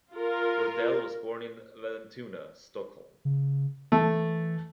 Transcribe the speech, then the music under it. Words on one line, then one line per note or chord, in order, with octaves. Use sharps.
Rydell was born in Vallentuna, Stockholm.
F4 A#4
C#3
E3 A3